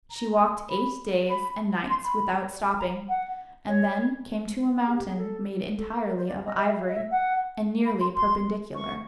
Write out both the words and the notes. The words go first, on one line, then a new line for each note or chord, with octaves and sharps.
She walked eight days and nights without stopping, and then came to a mountain made entirely of ivory, and nearly perpendicular.
A#5
B5
B5
C6
B5
A#5
F#5
C#5
G#4
G4
G#4
A4
A4
A#4
C5
D5
D#5
D#5
E5
F5
D#5
E5
F#5
B5
C6
C6
C#6